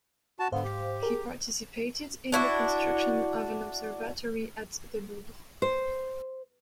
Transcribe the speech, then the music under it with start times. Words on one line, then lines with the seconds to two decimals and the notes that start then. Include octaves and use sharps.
He participated in the construction of an observatory at the Louvre.
0.39 F#4 A5
0.52 G#2 D3 B3 C5 F5
0.64 G4
1.03 G#4 A#4
2.32 D4 E4 F#4
5.62 C5